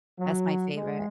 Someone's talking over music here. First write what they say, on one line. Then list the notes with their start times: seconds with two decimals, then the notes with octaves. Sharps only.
That's my favorite.
0.19 F#3
0.74 G#3